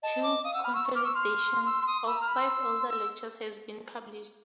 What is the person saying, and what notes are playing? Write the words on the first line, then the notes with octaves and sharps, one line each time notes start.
Two consolidations of five older lectures have been published.
D#5 A5
D6
F5 D#6
F#5 E6
B5 F6
C#6 E6
C#6
D6 F6
C#6 E6
C6 F6
E6
D#6
B5 E6
A#5
F6
B5
C6 E6
E6